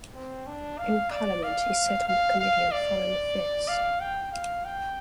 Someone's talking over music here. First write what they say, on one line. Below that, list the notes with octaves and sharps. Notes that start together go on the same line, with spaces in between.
In Parliament, he sat on the Committee on Foreign Affairs.
C4
D4
F5
D5
F5
F5
F5
D5
F5
G5
F5
G5